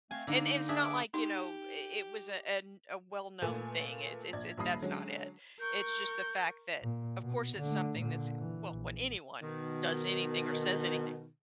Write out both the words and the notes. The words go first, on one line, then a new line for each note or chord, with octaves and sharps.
And it's not like, you know, it it was a an a well-known thing. It's it's it that's not it. It's just the fact that, of course, it's something that's well, when anyone does anything or says anything
A3 C4 F5 G#5
D3 A#3 D#4
D4 G#4 E5
B4 D6
D#4 G4
A#2 A3 B4 G#5
A#1 D5 G#6
A#1 D#2 G3 B5 D#6 C7
D3 F#3 G#3 C#4
A#4 C#6 G6
A#2
B2
D3 A3
A#2 D3
E3
A#1
B2 D#3